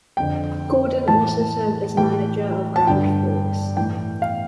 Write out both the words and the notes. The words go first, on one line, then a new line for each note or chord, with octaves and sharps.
Gordon also served as manager of Grand Forks.
F2 D3 G5
A2 E3 A5
A2 E3 G5
A5
G2 D3 G5
A2 E3 G5
F5